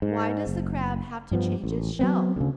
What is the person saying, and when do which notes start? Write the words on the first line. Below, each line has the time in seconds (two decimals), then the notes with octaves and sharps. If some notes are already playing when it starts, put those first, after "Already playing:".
Why does the Crab have to change its shell?
0.02 G#2
0.47 F#1
1.31 G2 F3 B3
1.64 A1
1.99 F#3 B3 C4
2.36 D2 C#3